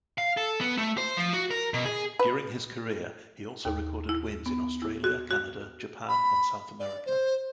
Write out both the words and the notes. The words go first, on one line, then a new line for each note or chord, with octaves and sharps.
During his career, he also recorded wins in Australia, Canada, Japan, and South America.
F5
A4
B3
A3
C5
F3
F#4
A#4
B2
G#4
B4
D#2
E4
B3
E4
F#4
F#4
B5
D5
C5